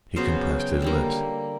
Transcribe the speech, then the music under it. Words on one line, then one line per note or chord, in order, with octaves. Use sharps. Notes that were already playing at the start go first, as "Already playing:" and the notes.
He compressed his lips.
C#3 F#3 B3 C5
G5
D3 G3 A#3